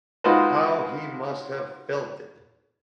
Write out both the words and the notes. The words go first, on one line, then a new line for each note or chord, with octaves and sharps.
How he must have felt it!
G#3 D#4 F4 F#4 B4 C5